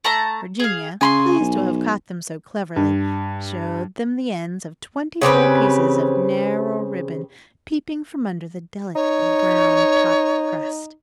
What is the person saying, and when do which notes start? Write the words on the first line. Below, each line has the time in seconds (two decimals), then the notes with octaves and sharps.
Virginia, pleased to have caught them so cleverly, showed them the ends of twenty-four pieces of narrow ribbon, peeping from under the delicately brown top crust.
0.04 A3 A5 A#5
0.60 G#4 F5
1.01 C#3 G#5 B5 C6
1.40 B1
2.76 G2
5.22 C#3 C4 G4 B4
8.95 D#4 C#5